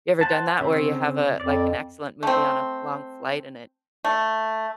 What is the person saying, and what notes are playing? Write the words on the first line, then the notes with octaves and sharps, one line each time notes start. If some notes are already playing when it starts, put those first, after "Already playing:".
You ever done that where you have, uh, like, an excellent movie on a long flight, and it
C5 F#5 A5
C#3 C4
F2 D5
A3 C4
A3